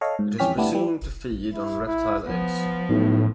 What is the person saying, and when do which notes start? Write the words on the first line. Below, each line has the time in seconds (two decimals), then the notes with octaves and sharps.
It is presumed to feed on reptile eggs.
0.01 A4 C#5 D#5 F5
0.19 G#2
0.38 F2 E3 C#4 G4 F6 B6
0.58 A2 G3 B3 D4 E4
0.72 F3 G3
1.52 E4
1.86 E4
2.26 F3 B3
2.89 B1 A2